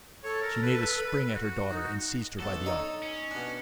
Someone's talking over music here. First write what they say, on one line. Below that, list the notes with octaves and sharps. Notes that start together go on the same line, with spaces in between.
She made a spring at her daughter, and seized her by the arm.
A4 C#5
A#4
B4
F#4
D#4
B1 F#3 A4
D#4 C#5
C#4
B2 D4